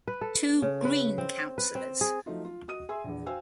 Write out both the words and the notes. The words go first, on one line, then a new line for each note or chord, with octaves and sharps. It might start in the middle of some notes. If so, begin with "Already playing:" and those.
Two Green councillors.
B4
A4
C#3
B4
C4
B4
C4
G#4
F3 F#3 A3 D#4 F4
F4
F#4 D#5 D#6 D#7
G#4 E5 G#5 C6 E6
A#1 E2
F#4 C5 F5 G5 G#5 E6